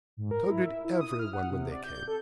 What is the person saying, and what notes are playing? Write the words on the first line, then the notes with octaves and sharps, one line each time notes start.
So did every one when they came.
G#2
A#4
E4
E5
E4
D#6
F6
F#5
C3
D5
G6
A4